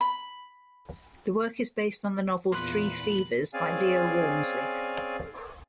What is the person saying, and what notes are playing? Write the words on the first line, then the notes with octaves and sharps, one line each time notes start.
The work is based on the novel "Three Fevers" by Leo Walmsley.
B5
E2 A#2 A#3 B4 C6 F#6
C4 C#4 G#4 D5 F5 G#5